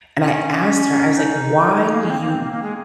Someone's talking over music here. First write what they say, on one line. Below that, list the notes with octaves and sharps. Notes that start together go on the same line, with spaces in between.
and I asked her, I was like, "Why do you
C#4
C#4
D#4
A#3
G#3
C4
A#3
C4
A#3
A#3
G#3